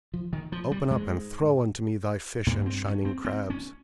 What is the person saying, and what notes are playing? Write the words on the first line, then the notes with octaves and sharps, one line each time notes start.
Open up, and throw unto me thy fish and shining crabs!
F3
D#3
F3
G3
G#2 G#3
G2 A#3
C4
C#4
C4
C4
C#4